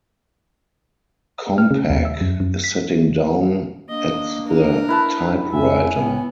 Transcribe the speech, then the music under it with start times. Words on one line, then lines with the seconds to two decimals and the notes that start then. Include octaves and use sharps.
Compaq is sitting down at the typewriter.
1.58 F6
1.71 C#3
1.89 D#2
2.05 E5
2.21 F#2
2.40 F#2
2.64 B6
3.89 A#3 D4 D#5
4.48 A#4
4.88 E4 B4 A5
5.52 F2 E5 G#5
5.95 A2 B3